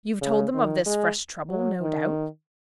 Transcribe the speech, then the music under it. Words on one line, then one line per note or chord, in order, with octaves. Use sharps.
"You've told them of this fresh trouble, no doubt."
C#3
D#3
G#3
F#3
D#3